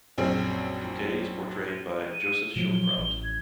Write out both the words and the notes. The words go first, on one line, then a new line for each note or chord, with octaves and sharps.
Fouquet is portrayed by Joseph Schildkraut.
A#1 F#2 C4 G#4
D#7
A#2 F3 F#3 G7
A1
G#6